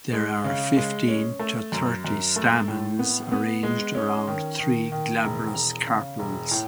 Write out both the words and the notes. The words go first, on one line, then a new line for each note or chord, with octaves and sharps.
There are fifteen to thirty stamens arranged around three glabrous carpels.
G#3
C#3
G#3
C#4
A3
F#2
F#2
A3
A2
B3
B3
G#3
C#4
D#3
D#3
D#3
E1
E1
C#3
E1
A2